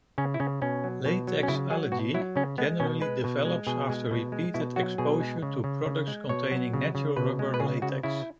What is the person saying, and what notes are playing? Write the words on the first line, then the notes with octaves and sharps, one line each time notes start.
Latex allergy generally develops after repeated exposure to products containing natural rubber latex.
C#3 C#4
E4
C#3 C#4
B2 C#4
F#3
B2
F#3
C#4
C#3 E4
F#3 G#4
B2 F#4
F#3 E4
C#3 C#4
G#3 B3
B2 C#4
G#3 B4
B2
G#3
B2 G#4
G#3
B2
G#3
B2 E4
F#3 F#4
B2 G#4
G#3
C#3
C#3
C#3
G#3
B2 C#5
F#3
C#3
C#3
B2 B4
G#3
B4
C#3 G#4
C#3 F#4
C#3 E4